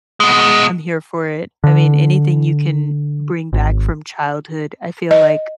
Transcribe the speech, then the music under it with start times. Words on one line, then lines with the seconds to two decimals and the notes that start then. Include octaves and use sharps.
I'm here for it. I mean, anything you can bring back from childhood, I feel like
0.20 B2 G#3
1.64 D3
3.53 G#1
5.11 D#5